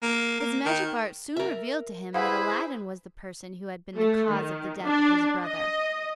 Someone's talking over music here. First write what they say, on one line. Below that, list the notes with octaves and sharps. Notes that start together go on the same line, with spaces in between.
His magic art soon revealed to him that Aladdin was the person who had been the cause of the death of his brother.
A#3
A#3
D#3
A#4 E5
E4 G#4 B4 C5 F5 F#5 B5
A3
D#3
D4
D#5